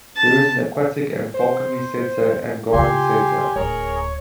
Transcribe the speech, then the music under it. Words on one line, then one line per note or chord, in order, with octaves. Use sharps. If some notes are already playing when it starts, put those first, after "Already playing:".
There is an aquatic and falconry centre and garden centre.
A5
C5
C#3 F4 G4 G#5 C6
D1 G#4 A#4 C#5